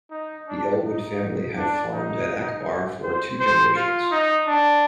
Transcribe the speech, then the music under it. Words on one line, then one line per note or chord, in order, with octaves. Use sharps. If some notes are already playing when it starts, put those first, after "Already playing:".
The Ellwood family have farmed at Akebar for two generations.
D#4
D4
D#4
D4
D#4
C5
C5
F4
D#4
D4